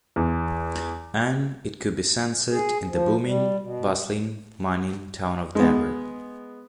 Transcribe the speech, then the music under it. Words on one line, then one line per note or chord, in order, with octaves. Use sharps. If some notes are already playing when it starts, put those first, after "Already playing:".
And it could be sensed in the booming, bustling mining town of Denver.
E2
G#4
F3
G3
B2
G#3 B3